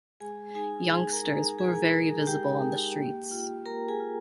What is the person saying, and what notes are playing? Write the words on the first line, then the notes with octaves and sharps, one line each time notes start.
Youngsters were very visible on the streets.
G#3 G#4 G#5
D#4 G#4 G#5
G#3 G#4 G#5
A#4 A#5
D#4
G#3 G#4 G#5
D#4 A#4 A#5
G#3 G4 G5
D#4
A#3
F4
A#3 A#4 A#5
G#4 G#5
F4